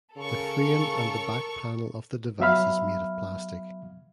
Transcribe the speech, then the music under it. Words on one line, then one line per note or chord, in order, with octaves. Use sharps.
The frame and the back panel of the device is made of plastic.
C#3 A4 A#4 C#6
F#3 B3 E5 F5 B5 F6